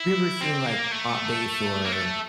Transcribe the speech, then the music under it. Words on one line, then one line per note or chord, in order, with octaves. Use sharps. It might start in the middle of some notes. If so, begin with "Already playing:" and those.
have you ever seen, like, Pop Bass or
Already playing: E4
C4
A#3
A3
A#3
A3